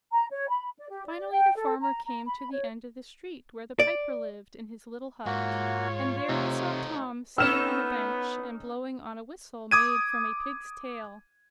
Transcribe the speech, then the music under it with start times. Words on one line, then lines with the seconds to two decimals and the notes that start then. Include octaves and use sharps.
Finally the farmer came to the end of the street where the piper lived in his little hut, and there he saw Tom sitting on a bench and blowing on a whistle made from a pig's tail.
0.11 A#5
0.31 C#5
0.49 B5
0.78 D5
0.90 G4
1.07 D5
1.32 G5
1.56 A4
1.81 A#5
2.06 A#5
2.27 B5
2.52 C#5
3.80 D5
5.26 G#2 A#3 F4 F#4 C#5
6.29 C3 A3 D#4 C5
7.38 B3 C#4 D#4 A4 E6 F6 E7
9.71 D6 D#6 G#6 D#7